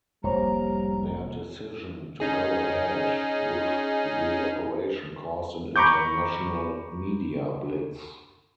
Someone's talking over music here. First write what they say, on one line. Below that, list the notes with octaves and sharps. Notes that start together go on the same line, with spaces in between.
Their decision to go ahead with the operation caused an international media blitz.
F1 C2 G3 A#3 C5 C#5 A#5
C#4 D#4 G#4
A#5 B5 C#6 D6 G6